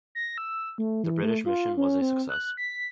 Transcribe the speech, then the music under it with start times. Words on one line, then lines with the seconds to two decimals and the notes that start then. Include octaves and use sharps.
The British mission was a success.
0.15 A#6
0.38 E6
0.78 A3
1.04 E3
1.23 A3
1.46 F4
1.77 C#4
2.01 C4
2.29 F#6
2.57 B6